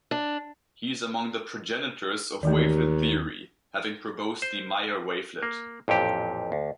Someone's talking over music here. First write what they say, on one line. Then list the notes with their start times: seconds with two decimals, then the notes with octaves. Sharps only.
He is among the progenitors of wavelet theory, having proposed the Meyer wavelet.
0.11 D4
2.43 D#2 D#3 E3 A3
4.42 C5
5.43 A#3
5.88 A1 F2 A#2 G4
6.52 D2